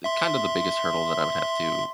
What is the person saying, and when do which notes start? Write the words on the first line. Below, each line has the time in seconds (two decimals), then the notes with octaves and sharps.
kind of the biggest hurdle that I would have to,
0.04 E5 C6